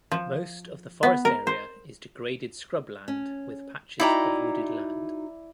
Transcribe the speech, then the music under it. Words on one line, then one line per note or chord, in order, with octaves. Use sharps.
Most of the forest area is degraded scrub land with patches of wooded land.
F3
B3
A#4
C5
C#4
D#4 E4 F#4 D5 G5 A#5